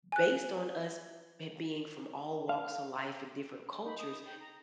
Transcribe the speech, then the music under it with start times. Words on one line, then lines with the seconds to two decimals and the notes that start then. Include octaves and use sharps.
based on us ha being from all walks of life and different cultures,
0.12 G#5 F#6
2.49 F5
3.86 D#4 B5
3.98 D#6
4.26 G5
4.40 A#5